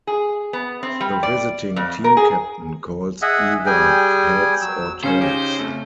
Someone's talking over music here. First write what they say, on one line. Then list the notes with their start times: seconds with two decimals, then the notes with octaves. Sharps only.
The visiting team captain calls either heads or tails.
0.07 G#4
0.53 B3
0.83 C4
1.00 G3
1.23 D5
1.76 F2
2.04 A#4
2.17 G#4
3.22 G#4 D#5 E5 F#5
3.66 G3 G#4 G5 G#5
4.62 F#3 E6
5.03 C#3 C#4 C5
5.20 D#4 G4 C#5
5.57 F2 A3